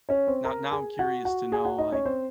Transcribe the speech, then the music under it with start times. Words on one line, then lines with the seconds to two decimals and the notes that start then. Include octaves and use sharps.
now now I'm curious to know, like,
0.09 C#4 C#5
0.27 C4 C5
0.44 A#4 A#5
0.71 G#4 G#5
0.99 F#4 F#5
1.25 F#4 F#5
1.52 G#4 G#5
1.65 F#4 F#5
1.78 D#4 D#5
1.92 C#4 C#5
2.05 C4 C5